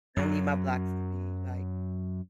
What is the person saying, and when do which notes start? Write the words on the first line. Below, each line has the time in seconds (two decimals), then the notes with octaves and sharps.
I need my blocks to be, like
0.17 F#2 F#3